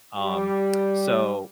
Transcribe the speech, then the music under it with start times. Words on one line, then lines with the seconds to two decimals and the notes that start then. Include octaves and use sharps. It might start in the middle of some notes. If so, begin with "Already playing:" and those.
Um, so
0.17 G3